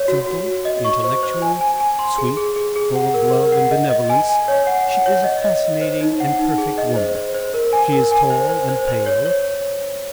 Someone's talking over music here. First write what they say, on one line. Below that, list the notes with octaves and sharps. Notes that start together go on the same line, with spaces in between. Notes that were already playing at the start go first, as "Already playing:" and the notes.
Simple, intellectual, sweet, full of love and benevolence, she is a fascinating and perfect woman. She is tall and pale.
Already playing: C#5
F#4
F#4
F#4
D#5
C#6
C5
C5
G#5
G#5
G#5
C6
G#4
G#4
G#4
G#4
F#5
A#4
A#4
F#5
D#5
D#5
G#5
G#5
C#5
F#5
F#5
C#5
D#5
D#5
D#5
C5
D#4
F#5
D#4
G#4
D#5
C5
C5
C5
A#4
G#5
A#4
G#5
C5
C5
C5
C5
C#5
C#5